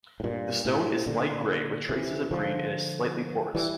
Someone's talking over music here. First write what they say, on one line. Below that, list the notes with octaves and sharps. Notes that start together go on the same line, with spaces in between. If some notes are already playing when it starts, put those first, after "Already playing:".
The stone is light grey with traces of green and is slightly porous.
A2
G2 A#2
A2 C3
A#2 D3
C3 E3
D3 F3
E3 G3